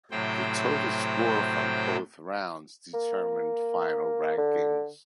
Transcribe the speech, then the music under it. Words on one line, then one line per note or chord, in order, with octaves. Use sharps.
The total score from both rounds determined final rankings.
A2 C3 F#3 C5 G5
A#3
D3